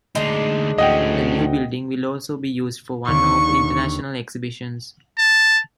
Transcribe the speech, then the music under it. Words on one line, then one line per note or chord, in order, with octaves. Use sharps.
The new building will also be used for one-off international exhibitions.
D2 G#3 D4 D#4
D2 A2 C#4 D#5 F#5 G5
D#2 D3 C#6
A5